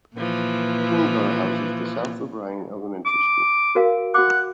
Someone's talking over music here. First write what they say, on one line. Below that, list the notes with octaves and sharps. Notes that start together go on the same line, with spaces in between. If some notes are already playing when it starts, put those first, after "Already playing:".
Primghar houses the South O'Brien Elementary School.
A#2 E3 F3
D6
F#4 A#4 F5
F#4 F#5 D6